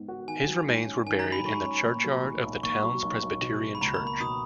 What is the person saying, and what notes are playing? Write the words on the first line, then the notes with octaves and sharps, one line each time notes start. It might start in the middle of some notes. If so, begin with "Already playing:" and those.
His remains were buried in the churchyard of the town's Presbyterian church.
Already playing: G#2 B3
F#4
D#3 G#5
F#3
G#2
C#4
D#3 G#5
A#5
F#3
B5
G#2 C#6
C#4
A#2
F#3
B1
B1
A#2 C#6
F#3
B1
B1
B2
F#3
B5
C#2 A#5
A#5
A#3
B5
B2 D#6